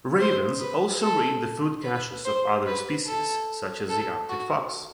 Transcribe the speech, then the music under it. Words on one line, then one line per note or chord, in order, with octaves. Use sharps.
Ravens also raid the food caches of other species, such as the Arctic fox.
C5
B4
A4
B4
C5
B4
A4
A4
F#4